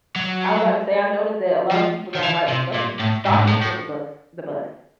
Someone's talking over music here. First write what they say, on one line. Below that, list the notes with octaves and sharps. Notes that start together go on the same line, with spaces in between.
I was about to say I noticed that a lot of people don't, like, stuffing stopping for the bus the bus.
F#3
F3
D#3
E3
C3
A#2
A2
G#2
A2
G#2
A2
A2